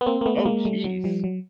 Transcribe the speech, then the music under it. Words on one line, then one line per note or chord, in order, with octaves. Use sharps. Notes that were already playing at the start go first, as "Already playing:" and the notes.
Oh, jeez.
B3
A#3 C4
A#3
A3 B3
A3
G#3 A#3
G3 A3
F#3
F3 G3
F#3